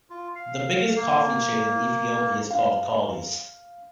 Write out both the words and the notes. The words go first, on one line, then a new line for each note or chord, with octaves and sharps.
The biggest coffee chain in Ethiopia is called Kaldi's.
F4
F5
A#3
F5